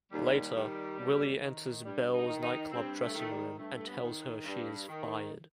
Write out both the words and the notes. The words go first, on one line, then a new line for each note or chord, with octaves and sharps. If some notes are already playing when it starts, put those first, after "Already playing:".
Later, Willie enters Belle's nightclub dressing room and tells her she is fired.
D#2 G3
D#3
D#2
D#3
G2 G3
D#4
D#3
D#4
G2 C4
A3
D#3 A3
G3
G2 A3
A3
B3
D#3
G2
D#3